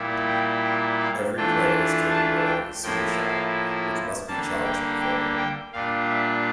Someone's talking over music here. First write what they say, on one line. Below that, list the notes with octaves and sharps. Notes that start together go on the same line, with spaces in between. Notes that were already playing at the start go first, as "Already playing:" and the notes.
Every player is capable of a "super shot", which must be charged beforehand.
Already playing: A#2 G3 A#3 E4
G5
G5
F5
E3 A3 D4 F4 G5
A5
G5
A2 F3 A#3 E4 G5
F5
D3 G3 A#3 A5
G5
G5
G5
A#2 G3 D4 F4 F5
E5